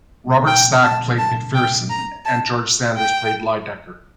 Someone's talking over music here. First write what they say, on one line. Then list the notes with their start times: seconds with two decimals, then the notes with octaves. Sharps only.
Robert Stack played McPherson and George Sanders played Lydecker.
0.47 G5
0.82 A5
1.18 A5
1.55 G5
1.90 A#5
2.25 A5
2.97 G5